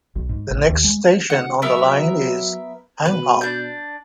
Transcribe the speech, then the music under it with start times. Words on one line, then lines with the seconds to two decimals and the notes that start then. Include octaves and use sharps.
The next station on the line is Hang Hau.
0.16 B1
0.29 G#2
0.51 A1
0.70 D#2
0.84 G#3
1.30 D2 F#5
1.62 F#3 B3 A#4 E5
3.06 B2 B4
3.41 D4 G6